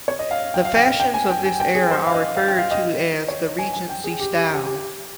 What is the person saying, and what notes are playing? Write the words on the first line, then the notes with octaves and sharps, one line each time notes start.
The fashions of this era are referred to as the Regency style.
C#5
D#5
F5
G5
F5
G5
G5
G5
G#5
G5
G#5
G5
G#4
C5
F5
D#5
F5
G5
F5
D#5
C#5
G#5
G#5
G5
G#4
G4
G4
G4
G4